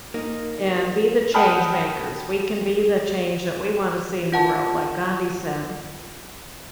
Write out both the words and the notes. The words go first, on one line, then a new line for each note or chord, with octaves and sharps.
and be the change makers. We can be the change that we want to see in the world, like Gandhi said.
A#3 D#4
F#5 G5 A5 B5 D#6 F6
F4 F#5 A5